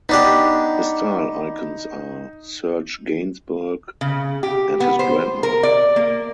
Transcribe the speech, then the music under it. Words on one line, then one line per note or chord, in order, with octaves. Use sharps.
His style icons are Serge Gainsbourg and his grandma.
B3 D4 D#4 G4
C#3
G4
B3
C5
A#4
D5
A#3